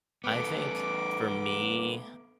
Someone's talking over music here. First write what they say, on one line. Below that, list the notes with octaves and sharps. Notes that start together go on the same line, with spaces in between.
I think, for me
A3 B3 D6